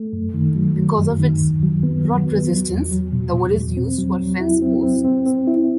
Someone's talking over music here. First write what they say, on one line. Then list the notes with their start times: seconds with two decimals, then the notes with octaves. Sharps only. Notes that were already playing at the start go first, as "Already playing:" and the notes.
Because of its rot resistance, the wood is used for fence posts.
Already playing: A3
0.13 F#2
0.34 D#3
0.55 F#3
0.76 F#3
0.98 F#2
1.19 D#3
1.41 D#2
1.63 F#3
1.83 B3
2.05 F#3
2.27 B3
2.47 F#3
2.69 E2
2.91 F#3
3.13 B2
3.33 B2
3.55 E2
3.77 C4
3.98 F#3
4.20 F#3
4.41 E4
4.62 C4
4.83 C4
5.04 C4
5.26 C4
5.47 E4